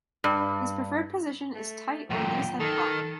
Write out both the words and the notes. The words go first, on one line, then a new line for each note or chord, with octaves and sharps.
His preferred position is tight or loosehead prop.
G2
A3
F#2 A#2 G5
D#3 A4